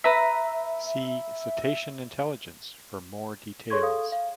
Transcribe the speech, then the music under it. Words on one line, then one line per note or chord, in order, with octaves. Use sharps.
See cetacean intelligence for more details.
B4 E5 A#5 B5
G#4 A4 C#5 C6 C#6 G#6
A4 F5 D#6
F5